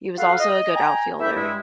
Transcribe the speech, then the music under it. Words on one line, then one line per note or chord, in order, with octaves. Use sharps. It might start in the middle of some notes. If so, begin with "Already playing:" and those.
He was also a good outfielder.
F4 F#4 A4 B4 F5
D#5
G5 G#5 A#5
E3 A3 E4 G4 E5
G2 G#3 E4